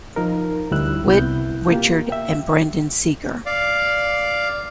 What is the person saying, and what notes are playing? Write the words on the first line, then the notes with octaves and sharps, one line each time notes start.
Witt, Richard and Brendan Segar.
F3 D#4 A#4
D2 G3 E4 E6 F#6
C2 B3 E4 G6
A#3 F4 G4
E5 G5
D5 F5